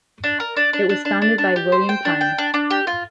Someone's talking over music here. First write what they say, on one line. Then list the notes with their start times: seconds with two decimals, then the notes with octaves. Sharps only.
It was founded by William Pine.
0.24 D4
0.40 A#4
0.57 D4
0.73 D4
0.89 D4
1.05 D4
1.22 D4
1.38 D4
1.56 G4
1.72 C5
1.89 G5
2.05 D4
2.21 G5
2.38 D4
2.54 D4
2.70 G4
2.87 F4